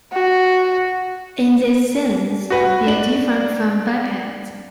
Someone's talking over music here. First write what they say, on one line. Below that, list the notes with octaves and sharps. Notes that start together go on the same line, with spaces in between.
In this sense, they are different from bipeds.
F#4
F#4 B4 F#5
D4 F#7